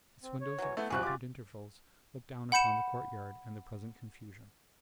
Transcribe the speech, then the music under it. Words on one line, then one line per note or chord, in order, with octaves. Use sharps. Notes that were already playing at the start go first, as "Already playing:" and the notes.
Its windows at frequent intervals looked down upon the courtyard and the present confusion.
C4
C#5
E3 F#3
A3 B3 E4
D1 G2 C3 F3 F#4 G#4 F#6
F4 G4 D6 A6
F#5 B5 G6 C#7 E7